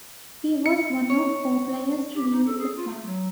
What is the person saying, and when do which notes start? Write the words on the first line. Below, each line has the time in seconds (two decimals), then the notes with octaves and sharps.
He was one of four players to leave the club.
0.66 C#7
1.10 C#5
2.13 G4
2.31 D#4
2.45 A4
2.57 G#4
2.75 F4
2.88 A3
3.05 F#3